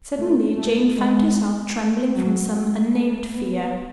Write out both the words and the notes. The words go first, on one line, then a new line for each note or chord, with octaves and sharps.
Suddenly Jane found herself trembling from some unnamed fear.
A3
A3
G#3
F#3
G#3
A3
B3